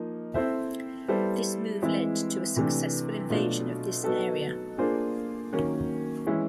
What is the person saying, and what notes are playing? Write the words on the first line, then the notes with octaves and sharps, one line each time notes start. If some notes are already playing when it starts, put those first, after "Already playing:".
This move led to a successful invasion of this area.
Already playing: F3 A#3 D#4
C4 E4 A4 C5 E5
G3 B3 E4 A4 C5
E3 G#3 C4 E4
C3 E3 A3 D4
B2 F#3 A3 D4 F4
F#3 B3 D#4 F#4 A4
A#3 D4 F4 G#4 C5
D#3 F#3 A#3 C#4
E3 G#3 C#4 E4